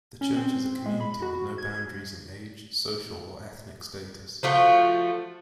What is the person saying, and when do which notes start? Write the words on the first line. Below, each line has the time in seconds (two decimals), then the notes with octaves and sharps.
The Church is a community with no boundaries in age, social or ethnic status.
0.21 C#4
0.36 C4
0.86 G#3
1.01 B5
1.22 F#4
1.58 G#6
4.43 F3 A3 F4 F#4